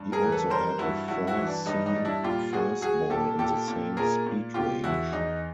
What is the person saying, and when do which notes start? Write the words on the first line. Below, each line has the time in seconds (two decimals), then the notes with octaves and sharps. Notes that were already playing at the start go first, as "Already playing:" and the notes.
He also had a four-seam fastball in the same speed range.
Already playing: G2
0.12 G#4 A#4
0.23 E3
0.32 A4 B4
0.50 G3 A#4 C5
0.79 G2 E4 F#4
1.08 G2 E4 F#4
1.27 E4 F#4
1.37 E3
1.47 D4
1.66 G2 D#4
1.86 D#4
1.95 G3
2.05 D4 E4
2.24 A#2 F4 G4
2.53 F#3 F#4 G#4
2.81 F#3 F#4 G#4
3.10 A#2 G4 A4
3.39 A#2 G4 A4
3.68 A#2
3.97 A#2 G#4 A#4
4.26 A#2
4.54 B2 F4 G4
4.84 E2 E4 F#4
5.12 E2 D#4